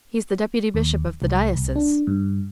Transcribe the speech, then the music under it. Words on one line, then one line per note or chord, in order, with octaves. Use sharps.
"He's the Deputy Bishop of the diocese."
D#2
C2
C2
D4
G2